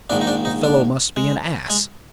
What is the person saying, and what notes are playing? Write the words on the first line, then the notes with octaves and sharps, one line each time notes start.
The fellow must be an ass!
A#1 G#2 D#3 D4
D#4
D4
D#4
D4
G#3
G#3